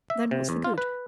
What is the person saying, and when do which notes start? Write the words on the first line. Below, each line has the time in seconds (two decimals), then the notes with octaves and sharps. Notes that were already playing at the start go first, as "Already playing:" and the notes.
"Then what's the good?"
0.10 E5
0.31 C3
0.49 E2
0.64 F4
0.78 B4